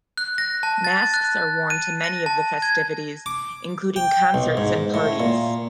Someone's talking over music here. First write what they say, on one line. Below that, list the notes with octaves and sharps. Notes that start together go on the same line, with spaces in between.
Masks are worn to many of the festivities, including concerts and parties.
F#6
A#6
A5
A6
F#6
D#7
A#6
A5
G#6
D6
G5
B1
G#2
A2
A#2